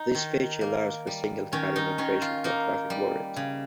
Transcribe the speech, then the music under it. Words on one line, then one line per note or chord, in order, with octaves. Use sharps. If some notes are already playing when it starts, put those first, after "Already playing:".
This feature allows for single cabin operation when traffic warrants.
Already playing: D#4
D#3
A#3
G3
D#3 C#4
D#4
D#3 C#4
F4
A#3 D#4
G3
C#3